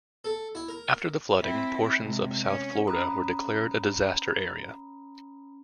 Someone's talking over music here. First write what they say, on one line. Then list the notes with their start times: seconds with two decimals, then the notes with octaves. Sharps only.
After the flooding, portions of south Florida were declared a disaster area.
0.25 A4
0.55 E4
0.68 A#4
1.41 C4 E4
1.97 C3 G#3
2.44 C#4
2.87 C#4 A#5 B5 D#6